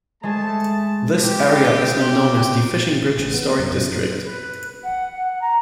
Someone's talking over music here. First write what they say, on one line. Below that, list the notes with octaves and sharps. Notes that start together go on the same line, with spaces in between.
This area is now known as the Fishing Bridge Historic District.
G#3 A3 G#4 A5
C4 G4
A1
B3
F#2
F#2
B4
F#5
F#5
A#5